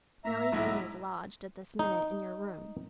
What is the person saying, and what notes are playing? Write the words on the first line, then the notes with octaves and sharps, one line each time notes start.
Nelly Dean is lodged, at this minute, in your room.
A2 E5 A#5
B1 G#2 E4
D#4